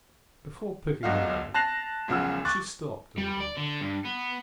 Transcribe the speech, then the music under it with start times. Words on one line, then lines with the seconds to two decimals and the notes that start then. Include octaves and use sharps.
Before picking them out she stopped a moment.
1.03 E1 B1 D#4 F#4 F5
1.54 A5 F#6 A#6 C7 F7
2.08 E1 B1 C#3 F3 F#5 E6
2.45 C#6 D6 F#6 A6
3.18 G3
3.40 D5
3.57 D3
3.81 G2
4.05 B3